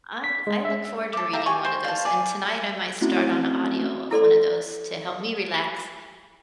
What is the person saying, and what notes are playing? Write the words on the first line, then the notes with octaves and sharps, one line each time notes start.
I I look forward to reading one of those, and tonight, I might start on the audio of one of those to help me relax.
B6
G#3
E5
A4 D6
G4 E5 F5 A#5
G4 G#5 C#6
C5
F5 A5
D5 G#5
A3 C4 C#4 E4 F#4
E4 A4 D5 C6